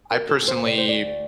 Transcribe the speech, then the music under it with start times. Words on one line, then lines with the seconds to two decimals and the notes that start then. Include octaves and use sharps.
I personally
0.11 A#4
0.17 D2
0.29 A4
0.41 D2
0.48 C5
0.66 C3 D5
0.78 C5
0.88 D2 D5